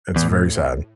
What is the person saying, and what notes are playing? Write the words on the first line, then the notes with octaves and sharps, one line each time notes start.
It's very sad.
E2 A2